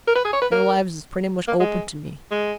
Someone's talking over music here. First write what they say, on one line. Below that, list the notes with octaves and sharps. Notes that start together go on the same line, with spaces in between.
Their lives is pretty much open to me.
A#4
B4
G#4
C#5
B4
A#4
A#3
G#3
G#3